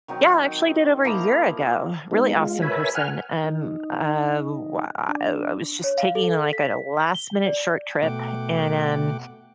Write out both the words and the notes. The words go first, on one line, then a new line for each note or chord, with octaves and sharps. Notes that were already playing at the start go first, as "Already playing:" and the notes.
Yeah, I actually did over a year ago. Really awesome person, um, ah, wha ah I w I was just taking, like, a last-minute short trip, and, um,
D#3 F#3 C4 D#4
F3 A#3 E4 A#5
G#3 B3 D#4
G#3 F4
A#4 B4 C#5 E5 G#5 B5
F#5 G#5 F6
D#4
D4
C#5
F5
A4
B6
G7
D5
B2 A3 F#5 G5 D6